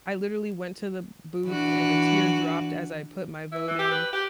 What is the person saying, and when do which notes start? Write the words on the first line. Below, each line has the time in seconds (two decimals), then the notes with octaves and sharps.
I literally went to the booth and a tear dropped as I put my vote in,
1.47 E3 D4 F#4
3.52 E4
3.67 E3
3.79 G4
3.91 B4
4.13 G4